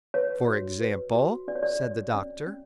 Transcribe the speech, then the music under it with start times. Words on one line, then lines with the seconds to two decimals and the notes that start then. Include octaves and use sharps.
"For example?" said the Doctor.
0.14 B4 C#5
0.48 F#4
0.81 B4
1.14 F#4
1.48 D4 D5
1.55 C#5
1.63 D5
1.81 C#5
2.14 C#4
2.47 C#4